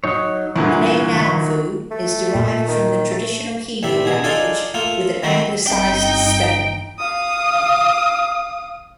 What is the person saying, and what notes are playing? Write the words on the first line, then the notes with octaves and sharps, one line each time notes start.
The name Nauvoo is derived from the traditional Hebrew language with an anglicized spelling.
F#3 D#4 C#5
C2 A#2 D3 E3
D#3 C#6
A3
A#2
D#3
A3
A1 C3 D4 E5
B2 G#4
D4 D#4 F4 G#4 A4 D5
A3 A#3 F4
D#3 A3 C4 F#4
G1 C4 D#4 G5
F5 D#6